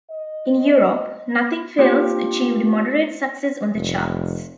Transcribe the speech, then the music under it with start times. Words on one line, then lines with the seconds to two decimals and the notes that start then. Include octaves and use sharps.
In Europe, "Nothing Fails" achieved moderate success on the charts.
0.11 D#5
1.78 A#3 C4 D4 F4 G4
3.74 F1